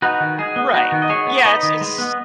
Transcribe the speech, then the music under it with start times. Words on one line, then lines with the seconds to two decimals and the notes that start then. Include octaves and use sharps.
Right. Yeah, it's it's
0.02 D#4 F#4 B4
0.21 D#3
0.38 G#3 G#4
0.56 B3
0.74 D#4 F#4 B4
0.92 D#3
1.02 D#5
1.09 G#3 G#4 C#5
1.27 B3
1.40 C#5
1.45 D#4 B4 D#5
1.63 D#3
1.81 G#3
1.98 B3